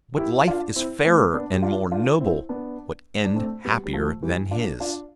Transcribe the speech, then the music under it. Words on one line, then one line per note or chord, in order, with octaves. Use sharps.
What life is fairer and more noble, what end happier than his?
E4 G4
D4 F4
C4 E4
A3 C4
B3 D4
G4
D4 F4
D4 F4
C4 E4
B3 D4
D4
A3 C4
G3 B3
G3
F3 A3
E3 G3
D4 F4
D4 F4